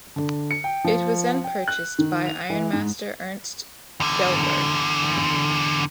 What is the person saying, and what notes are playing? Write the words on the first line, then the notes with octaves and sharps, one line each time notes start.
It was then purchased by Ironmaster Ernst Kjellberg.
D3
C#7
G5
F3
G5
F#6
D#3
F7
E3
G#2
E2 D3